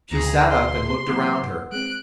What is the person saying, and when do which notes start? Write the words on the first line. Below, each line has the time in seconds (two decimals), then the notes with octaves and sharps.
She sat up and looked around her.
0.11 D2 E3 G#3 B3 G#4 A#5
0.49 G#4 C6
1.07 E3 F#3 A#3 B3
1.72 G#3 C4 F#6 D7